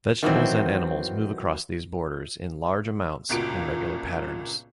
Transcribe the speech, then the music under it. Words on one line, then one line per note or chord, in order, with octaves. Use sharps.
Vegetables and animals move across these borders in large amounts in regular patterns.
D#3 E3 F#3 C4
G1 C#2 A#2 F#4 D7